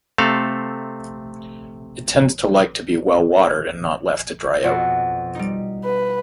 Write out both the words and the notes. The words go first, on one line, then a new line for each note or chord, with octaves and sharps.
It tends to like to be well watered and not left to dry out.
C3 A3 C4 A4 F5
F2 B2 F#4
G3 D#4
B4